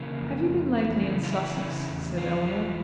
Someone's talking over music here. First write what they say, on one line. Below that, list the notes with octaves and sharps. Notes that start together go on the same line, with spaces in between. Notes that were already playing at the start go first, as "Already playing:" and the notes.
"Have you been lately in Sussex?" said Elinor.
Already playing: C#3 E3 A#3
F2
F2
E3
C#3
F4
E3 E4
C#3
E2
E2 F4
E3